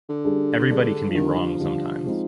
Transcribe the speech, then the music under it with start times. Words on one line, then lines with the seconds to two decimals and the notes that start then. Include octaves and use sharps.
Everybody can be wrong sometimes.
0.09 D3
0.25 G3 D4 G#4
0.69 G3 D4 G#4
1.10 F3
1.14 D3 D#3 G3 D4 F4
1.38 F3
1.60 D3 G3 D4 F4
2.05 G#3 C4 D#4